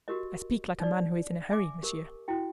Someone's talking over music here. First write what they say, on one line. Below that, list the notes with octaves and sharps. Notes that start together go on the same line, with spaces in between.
"I speak like a man who is in a hurry, monsieur."
F#4 G4 A#4 D#5
D#4 D5
E5 G#5 D6
G4 A#4
E4 F#4 G5